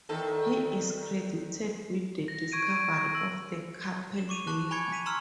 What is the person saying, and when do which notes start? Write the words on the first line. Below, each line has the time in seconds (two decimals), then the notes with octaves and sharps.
He is credited with the discovery of the Capel River.
0.09 E2 D#3 A4
2.28 A#6
2.52 C#6 G#6 D7 D#7
2.76 D7
3.15 E6
4.16 E7
4.29 C#6 D6 D#7 F7
4.47 A5 C#6 F#6
4.71 G#5 B5 C#6 D6 G#6 C#7
4.92 B6 D#7 F7
5.06 A#5 C6 C#6 E6 F6